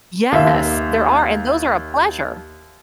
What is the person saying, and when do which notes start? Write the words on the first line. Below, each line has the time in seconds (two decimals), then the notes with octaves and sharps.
Yes, there are, and those are a pleasure.
0.32 D#2 E5